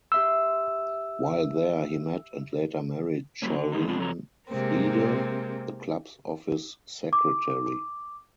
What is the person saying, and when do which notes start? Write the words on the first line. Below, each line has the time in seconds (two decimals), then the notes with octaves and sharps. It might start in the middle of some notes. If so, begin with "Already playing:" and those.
While there, he met and later married Charlene Friede, the club's office secretary.
0.12 G4 E5 C6 E6
3.42 F#3 G3 A#3 C#4
3.55 D3
3.72 D3 D#3 G#3 A#3 D#4
3.87 C#3 G#3 B3 C4 D4 F4
3.98 F2 C#3 F#3 A4 C#5 A#5
4.49 C3 G#3 A#3 C4 A#4
7.13 D6